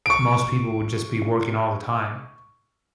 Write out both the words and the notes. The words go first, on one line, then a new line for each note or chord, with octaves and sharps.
most people would just be working all the time.
C#6 D7